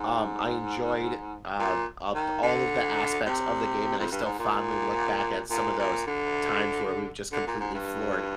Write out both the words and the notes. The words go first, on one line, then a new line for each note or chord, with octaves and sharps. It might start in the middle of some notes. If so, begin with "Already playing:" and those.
Um, I enjoyed, uh, the up all of the aspects of the game, and I still fondly look back at some of those times where we've just completely floored
Already playing: G#2
A#2
D#3
D3
C3
F2
G2
G#2
A#2
A#2
A#2
D3
D3
A#2
G#2
G2